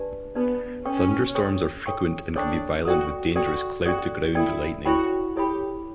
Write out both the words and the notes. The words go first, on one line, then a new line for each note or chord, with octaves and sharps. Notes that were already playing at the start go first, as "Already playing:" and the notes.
Thunderstorms are frequent and can be violent with dangerous cloud-to-ground lightning.
Already playing: D4 G4 B4 D5 A5
B3 D4 G4 B4 D5 A5
C#4 A4 C#5 G5 C#6
A4 C#5 G5 C#6
A4 C#5 G5 C#6
D4 A4 C#5 G5 C#6
F#4 A4 D5 G5
F#4 A4 D5 G5
F#4 A4 D5 G5
E4 A4 D5 G5
E4 F#4 A4 C#5 G5 B5
E4 G4 A4 C#5 G5 B5